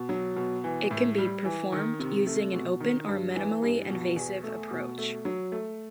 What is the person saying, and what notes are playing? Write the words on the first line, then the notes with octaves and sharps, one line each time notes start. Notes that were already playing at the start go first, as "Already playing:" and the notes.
It can be performed using an open or minimally invasive approach.
Already playing: B2
F#3
B2
E3
A2
G3
E3
D#3
C3
A3
B2
D#3
G2
E3
G2
B2
E2
A3
B2
A3
F#3
A3